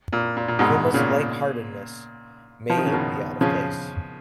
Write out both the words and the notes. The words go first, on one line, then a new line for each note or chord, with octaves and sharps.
Kuma's light heartedness may be out of place.
A#2
A#2
A#2
G#2 B2
A#2 C#3
F3
D#3
C#3
B2 D#3
C#3 F3